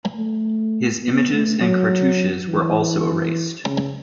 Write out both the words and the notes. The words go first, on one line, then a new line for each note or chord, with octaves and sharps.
His images and cartouches were also erased.
A3
B3
A3
F#3
E3
C#3